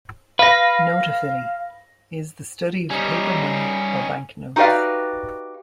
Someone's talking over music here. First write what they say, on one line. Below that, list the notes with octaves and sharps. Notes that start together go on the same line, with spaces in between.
Notaphily: is the study of paper money or banknotes.
B4 F5 A#6
G3 C#4 D#4
D#4 F#4 G4 B4 D5 F5